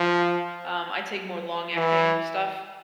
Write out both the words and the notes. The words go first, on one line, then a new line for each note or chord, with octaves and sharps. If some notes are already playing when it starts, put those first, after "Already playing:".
um, I take more long-acting stuff,
Already playing: F3
E3